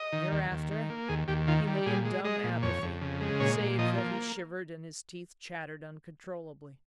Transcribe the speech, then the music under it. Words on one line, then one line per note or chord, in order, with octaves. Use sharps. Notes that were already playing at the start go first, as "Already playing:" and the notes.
Thereafter he lay in dumb apathy, save that he shivered and his teeth chattered uncontrollably.
Already playing: D#5
D#3
D#2
D#2
D#3
A#3
D#2 G#4
D#2 G4
D#3 F4
G3
A#2 G#4
G#3
G#3 D#5
A#2
F2 C#5
F2
C#3
G#3
A#2 C#5
A#2
F3 D#5
A#3